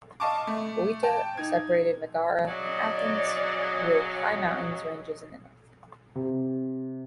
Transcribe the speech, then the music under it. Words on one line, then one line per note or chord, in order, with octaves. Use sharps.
Boeotia separated Megara and Athens with high mountains ranges in the north.
D#5 F5 A5 C#6 D6
A3
G5 A5
D#4 G#6
C#3 F#3 D5 D#5
C3